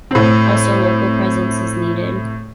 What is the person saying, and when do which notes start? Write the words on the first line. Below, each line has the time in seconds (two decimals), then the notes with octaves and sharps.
Also, local presence is needed.
0.11 A2 C4